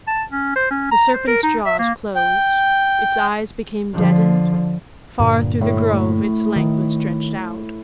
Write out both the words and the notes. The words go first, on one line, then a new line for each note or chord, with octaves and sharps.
The serpent's jaws closed; its eyes became deadened; far through the grove its length was stretched out.
A5
C#4
C5
C#4
A#5
C5
A#4
D#4
E5
A#3
G5
D3 F3
G2 A#2 D3
A2
D#3